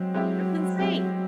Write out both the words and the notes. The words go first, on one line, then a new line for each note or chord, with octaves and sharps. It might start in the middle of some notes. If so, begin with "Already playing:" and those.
That's insane.
Already playing: F#3 G#3 C4 G4
G#3 C4 E4 G4
G#3 C4 E4 G4